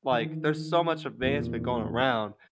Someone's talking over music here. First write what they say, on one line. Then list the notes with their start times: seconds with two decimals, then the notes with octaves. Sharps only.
Like, there's so much advancement going around,
0.12 D#3 E3
1.22 F1 E2 A#2